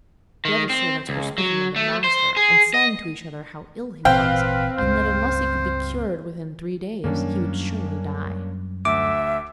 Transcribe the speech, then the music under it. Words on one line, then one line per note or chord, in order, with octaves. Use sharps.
The other servants were speaking of their master, and saying to each other how ill he was, and that unless he could be cured within three days he would surely die.
D#3
C4
C#2
F#3
A3
C5
G#4
D#5
G#1 A#2 E3 C4 B4 F5 G5
C#2 G2 C5
F#2 D#3 G3 A#3 C#4 D4
D2 E5 D6